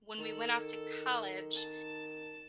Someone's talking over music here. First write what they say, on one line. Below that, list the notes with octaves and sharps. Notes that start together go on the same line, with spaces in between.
when we went off to college,
D#3 A4
A5